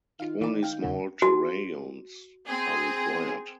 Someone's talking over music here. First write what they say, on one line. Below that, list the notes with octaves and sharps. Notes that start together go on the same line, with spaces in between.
Only small terrariums are required.
D#3 F4 F5
E3 F4 D5
F5 G5
F2 C#3 A3
F#4
C4 G#4